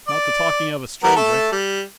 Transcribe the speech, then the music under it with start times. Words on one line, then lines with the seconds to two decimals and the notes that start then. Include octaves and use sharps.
Not the talking-over stranger.
0.08 D5
1.04 G3 B3 A#4
1.16 A3 A4
1.52 G3